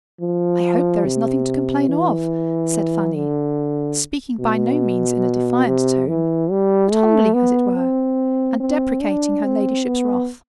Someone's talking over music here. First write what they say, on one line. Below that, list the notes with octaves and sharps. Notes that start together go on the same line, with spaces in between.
"I hope there is nothing to complain of," said Fanny, speaking by no means in a defiant tone, but humbly as it were, and deprecating her ladyship's wrath.
F3
C3
E3
D3
B2
C3
E3
G3
A3
B3
C4
C4
D4
C4
B3